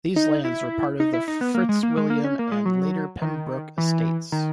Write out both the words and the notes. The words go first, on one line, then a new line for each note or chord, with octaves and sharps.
These lands were part of the Fitzwilliam and later Pembroke Estates.
D#4
E4
D#4
E4
D#4
B3
A#3
G#3
A#3
G#3
A#3
C#4
A#3
G#3
F#3
D#3
E3
D#3